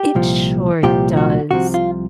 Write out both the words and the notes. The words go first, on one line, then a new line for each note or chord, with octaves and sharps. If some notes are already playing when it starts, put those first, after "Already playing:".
It sure does.
Already playing: G4
C2 A#2 F3
C2 A#2 F3 G4
F#4
C2 C3 F3 F#4
F4